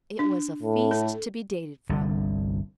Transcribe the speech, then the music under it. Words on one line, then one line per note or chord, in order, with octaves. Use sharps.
It was a feast to be dated from.
D4
A2
A4
G1 C2 D3